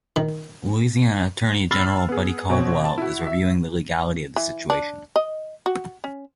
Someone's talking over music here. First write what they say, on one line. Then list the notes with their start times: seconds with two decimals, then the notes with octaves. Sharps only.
Louisiana Attorney General Buddy Caldwell is reviewing the legality of the situation.
0.16 D#3
1.71 B5 E6 F6 A6 C7
2.09 B3 G#4
2.49 B2 C4 C#5
2.85 A5
2.98 E4 F#4
3.27 E5
4.36 E3
4.70 D4
5.16 D#5
5.66 F#4
6.04 C#4